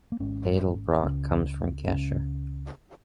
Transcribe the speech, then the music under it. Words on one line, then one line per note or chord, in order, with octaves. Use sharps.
Edelbrock comes from Gescher.
A#3
G#1 G#2 C#4
C#2 C#3 C#4
C#2 C#3 C#4